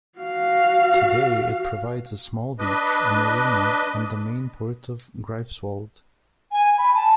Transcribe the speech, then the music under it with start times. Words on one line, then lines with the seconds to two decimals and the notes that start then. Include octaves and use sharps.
Today it provides a small beach, a marina and the main port for Greifswald.
0.18 F#4 F5
2.59 D4 B4 D#5
6.52 G#5
6.78 B5
6.95 A5